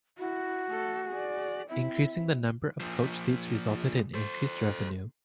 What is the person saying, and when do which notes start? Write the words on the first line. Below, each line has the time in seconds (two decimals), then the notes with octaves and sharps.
Increasing the number of coach seats resulted in increased revenue.
0.18 E4 F#4
0.67 A3 A4
1.09 G#4 D5
1.68 C4 E4 E5
2.80 A#2 F3
4.14 A4 C5